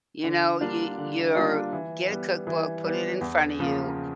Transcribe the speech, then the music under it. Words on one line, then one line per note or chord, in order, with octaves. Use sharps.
You know, you you're get a cookbook, put it in front of you,
D3
G3 A#3 D4 F4
D3
G3 A#3 D4 F4
E3
G3 B3
E3
G3 B3
E2
C#3 F3 A#3